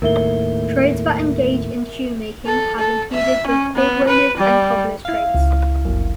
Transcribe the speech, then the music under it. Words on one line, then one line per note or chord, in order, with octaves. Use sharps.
Trades that engage in shoemaking have included the cordwainer's and cobbler's trades.
D#2 A2 A#4 E5 G7
A4
A4
E5
C#4
B3
B4
G3
E4 F5
C#2
G1 F#2